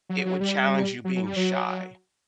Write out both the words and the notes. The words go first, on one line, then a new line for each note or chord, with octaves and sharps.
it would challenge you being shy,
F#3
F#3
G3
F#3
F#3
G3
F#3